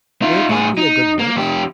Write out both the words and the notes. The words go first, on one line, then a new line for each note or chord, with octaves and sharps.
Would it not be a good work?
D#4 F4
A2 G#4
D#4
A#3
F2 G4